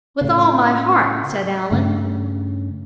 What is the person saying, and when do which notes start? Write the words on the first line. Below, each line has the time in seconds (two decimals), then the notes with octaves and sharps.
"With all my heart," said Allan.
0.21 A2 C#3
1.71 G2 C#3 A3 C#4